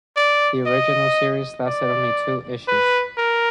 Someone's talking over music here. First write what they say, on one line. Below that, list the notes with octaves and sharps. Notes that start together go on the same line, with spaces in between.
The original series lasted only two issues.
D5
D#5
D5
B4
A#4